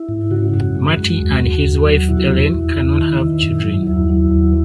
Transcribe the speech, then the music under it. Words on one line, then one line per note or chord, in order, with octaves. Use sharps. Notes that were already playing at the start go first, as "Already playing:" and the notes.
Marty and his wife Elena cannot have children.
Already playing: E4
G#2
C#3 F#4
F#2
G#3
F#2
D#2
D#2
D#2
F#3
B2 E4
E2
E2
E2
D#3
D#3
F#2
F#3
D#2 E4
F#3
D#2